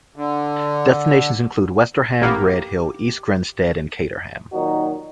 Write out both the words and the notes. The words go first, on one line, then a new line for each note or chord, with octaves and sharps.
Destinations include: Westerham, Redhill, East Grinstead and Caterham.
D3
A1 A#3 B3 G4
A#2 D#3 F#3 D#4 F#4